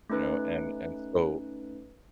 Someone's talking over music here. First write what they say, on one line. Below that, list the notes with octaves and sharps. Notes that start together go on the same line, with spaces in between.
You know, and and so
A3 C#4 D#4 B4 F#6